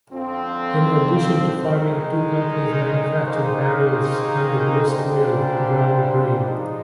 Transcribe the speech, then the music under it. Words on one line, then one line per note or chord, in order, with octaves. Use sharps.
In addition to farming, two companies manufactured barrels and a grist mill ground grain.
F2 D3 F3 C4 F4
D#3 G#3 D#4
D#3 A#3 D#4 G#4 C5
A#2 G3 D4 G4 C5
F3 G#3 D#4